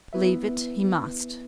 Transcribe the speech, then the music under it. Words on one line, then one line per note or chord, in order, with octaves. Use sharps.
Leave it he must.
B3 E4 B4 E5